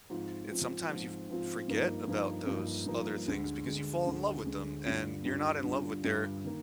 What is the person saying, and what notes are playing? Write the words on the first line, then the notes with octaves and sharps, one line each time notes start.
it's sometimes you forget about those other things because you fall in love with them, and you're not in love with their
G#2 F3 C4 F4
G#2 F3 C4 F4
G#2 F3 C4 F4
G#2 F3 C4 F4
G2 F3 A#3 D#4
G2 F3 A#3 D#4
G2 F3 A#3 D#4
G2 F3 A#3 D#4
D2 D3 G#3
D2 D3 G#3
D2 D3 G#3
D2 D3 G#3
G2 D3 G3 D4 F4
G2 D3 G3 D4 F4
G2 D3 G3 D4 F4
G2 D3 G3 D4 F4
D#3 A#3